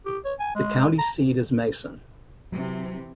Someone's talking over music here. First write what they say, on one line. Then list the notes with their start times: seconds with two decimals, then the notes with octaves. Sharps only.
The county seat is Mason.
0.06 G4
0.25 C#5
0.40 G#5
0.55 G#3
0.98 A#5
2.52 C3 E3 F#3